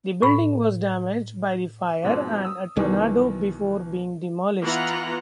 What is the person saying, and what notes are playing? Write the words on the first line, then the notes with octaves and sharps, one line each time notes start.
The building was damaged by fire and a tornado before being demolished.
A2 B5
F2 G#2 B2
D#6 E6
B1 B2 D#3 E3 G3
E3 B3 F4 F#5 A#5